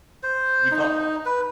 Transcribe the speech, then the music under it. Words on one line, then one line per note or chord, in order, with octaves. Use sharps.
you felt
C5
D#4
B4